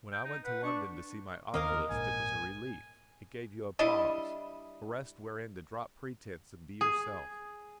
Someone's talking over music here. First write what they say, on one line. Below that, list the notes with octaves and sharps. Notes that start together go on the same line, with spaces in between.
When I went to London to see my oculist it was a relief; it gave you a pause, a rest wherein to drop pretence and be yourself.
G5
D#4
B4 F#5
D4 C#6
D#2 D#3 A#3 C4 A#4 D#5 F5
A#1 G#2 G#5
G3 D4 E4 D#5
G#4